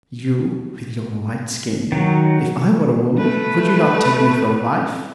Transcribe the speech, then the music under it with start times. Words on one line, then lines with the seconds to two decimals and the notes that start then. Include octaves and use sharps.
You, with your white skin, if I were a woman, would you not take me for a wife?'
1.92 D#3 F#3
3.18 A3 B4